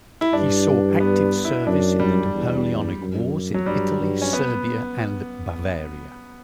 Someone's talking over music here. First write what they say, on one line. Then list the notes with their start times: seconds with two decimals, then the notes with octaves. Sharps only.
He saw active service in the Napoleonic Wars in Italy, Serbia and Bavaria.
0.21 E4
0.33 G2 D4
1.00 B3
1.45 E4
1.67 F#2 D4
2.00 G3
2.34 E2
3.00 F#2
3.54 F#3
3.66 G2 G3
4.00 G2
4.22 C#4
4.33 B3